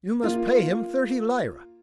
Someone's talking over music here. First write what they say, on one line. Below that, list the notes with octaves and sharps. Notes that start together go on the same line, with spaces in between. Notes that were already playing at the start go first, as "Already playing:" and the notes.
"You must pay him thirty lira."
A#3 F4